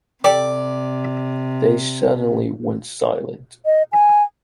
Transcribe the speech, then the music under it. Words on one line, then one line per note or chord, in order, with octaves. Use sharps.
They suddenly went silent.
C3 G4 A4 D5
D#5
G#5